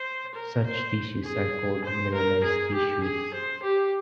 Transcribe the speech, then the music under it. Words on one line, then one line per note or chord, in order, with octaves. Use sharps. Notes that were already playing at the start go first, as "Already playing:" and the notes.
Such tissues are called mineralized tissues.
Already playing: C5
A#4
C5
G#4
C5
A#4
G#4
G4
G#4
C5
G4